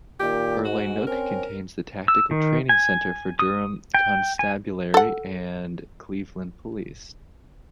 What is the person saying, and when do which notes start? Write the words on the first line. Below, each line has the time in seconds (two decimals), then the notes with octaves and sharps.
Urlay Nook contains the Tactical Training Centre for Durham Constabulary and Cleveland Police.
0.20 A#2 D#3 G4
0.65 G#2 F#4
1.07 C4 C#4 A#4
2.08 E6
2.31 D#3
2.69 G#5
3.39 D#6
3.95 G5
4.39 G#5
4.94 A4 F#5